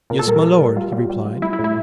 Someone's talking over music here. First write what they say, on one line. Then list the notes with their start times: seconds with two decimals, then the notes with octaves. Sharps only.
"Yes, my lord," he replied.
0.10 A#2 A#4
0.19 A4
0.27 G3 A#4
0.44 G3
0.59 G3
0.76 G3 F4
0.92 G3
1.10 G3
1.25 G3
1.42 G3 E4
1.53 E4
1.59 A2
1.64 E4